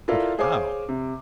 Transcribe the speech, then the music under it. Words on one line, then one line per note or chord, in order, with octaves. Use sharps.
But how!
E4 F4 A4 A#4 D5 F5
G#4 C5 C#5 F5 G#5 D6
C3